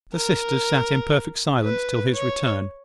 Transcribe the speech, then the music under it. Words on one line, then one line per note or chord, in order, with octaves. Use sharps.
The sisters sat in perfect silence till his return.
A#4
B4
C#5